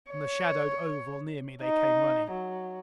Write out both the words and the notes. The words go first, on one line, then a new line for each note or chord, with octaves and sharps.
From the shadowed oval near me they came running.
C#5
D#4
F#3